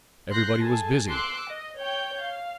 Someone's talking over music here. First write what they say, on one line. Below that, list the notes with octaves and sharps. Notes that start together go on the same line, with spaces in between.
Everybody was busy.
C6 F#6 G6 A#6 C7
G#4 A4 G#5 A5
C6 D6 E6 F#6
D#5
C#5 G5 G6
F5